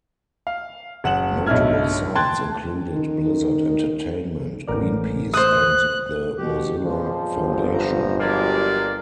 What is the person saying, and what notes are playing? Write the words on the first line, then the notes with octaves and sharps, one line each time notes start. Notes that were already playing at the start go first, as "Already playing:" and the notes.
Notable sites included Blizzard Entertainment, Greenpeace, and The Mozilla Foundation.
F5
F#1 F#5 E7 F#7
B1 G2 D#4 E4 F6 G#6
G5 A5 C6 F#6 G#6 A6
D#3
A1 A#4 D5
C5 D#6 F#6
B2 G4
F2 A#2 F3 G#3
G1
A#5
F#3 G#3 A#3 G4 D5 G#5